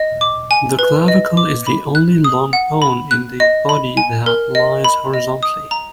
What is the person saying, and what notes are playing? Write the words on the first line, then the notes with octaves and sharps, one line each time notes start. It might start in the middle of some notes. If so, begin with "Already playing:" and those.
The clavicle is the only long bone in the body that lies horizontally.
Already playing: D#5
D6
G#5
B4
D#5
D6
B5
F#6
D#6
F#5
B5
F#6
D#5
B5
G#5
A#4
D#5
B5
D#5
D#6
A#5